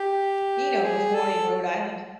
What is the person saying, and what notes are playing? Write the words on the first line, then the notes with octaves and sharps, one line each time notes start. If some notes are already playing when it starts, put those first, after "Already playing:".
Eno was born in Rhode Island.
Already playing: G4
G#4
A4